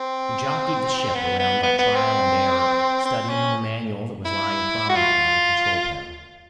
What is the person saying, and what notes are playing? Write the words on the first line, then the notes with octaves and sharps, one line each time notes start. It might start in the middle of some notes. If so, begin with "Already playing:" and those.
He jockeyed the ship around by trial and error, studying the manual that was lying prominently on the control panel.
Already playing: C4
B3
B3
B3
B3
C4
C4
C#4
E4
F#4
F4